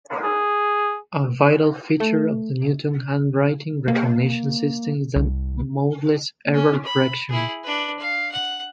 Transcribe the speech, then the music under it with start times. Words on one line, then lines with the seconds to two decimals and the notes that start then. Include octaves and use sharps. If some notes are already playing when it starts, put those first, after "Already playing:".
A vital feature of the Newton handwriting recognition system is the modeless error correction.
0.23 G#4
2.00 A3
3.88 A#3
5.16 C2
6.54 C#4
6.85 B5
7.29 E4 G#4
7.63 D4 B4
7.99 F5
8.31 F#5